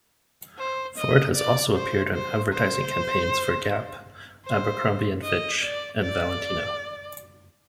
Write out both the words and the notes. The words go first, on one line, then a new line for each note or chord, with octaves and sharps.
Ford has also appeared in advertising campaigns for Gap, Abercrombie and Fitch, and Valentino.
C5
D#5
D5
C5
C5
C5
C5
D#5
D5
D5